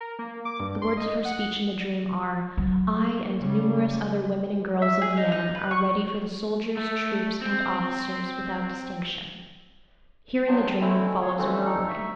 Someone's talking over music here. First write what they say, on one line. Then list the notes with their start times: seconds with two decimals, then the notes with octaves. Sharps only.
The words of her speech in the dream are, 'I and numerous other women and girls of Vienna are ready for the soldiers, troops, and officers, without distinction....' Here in the dream follows a murmuring.
0.01 A#4
0.19 A#3
0.45 D6
0.60 G2
0.82 C6
0.97 D#5
1.25 F#5
2.57 F#3
3.37 C#3 G3
4.82 E5
5.02 G#4
5.17 D#4
5.32 D#4
5.55 B4
5.71 C#6
6.77 A3
7.41 C4
10.48 G2 F#3 B3 G5 A5 C6
10.81 B2 D3 A3 C4 C#4 E4
11.22 F4 G#4 C#5
11.38 D3 E3 A3 C4 C#4
11.65 F3 D#4 A4
11.88 D2 E5 C#6